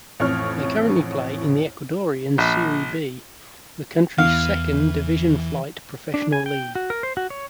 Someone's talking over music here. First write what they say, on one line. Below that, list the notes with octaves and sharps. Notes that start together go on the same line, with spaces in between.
They currently play in the Ecuadorian Serie B, the country's second division-flight professional league.
A1 F2 C#5 F6
A#1
E2 E3 F5
D4
G#5
G5
F#4
A#4
C5
F#4
C#5